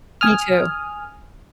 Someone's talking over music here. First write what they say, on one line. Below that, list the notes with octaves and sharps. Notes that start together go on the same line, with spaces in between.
Me too.
G#5 D#6 F6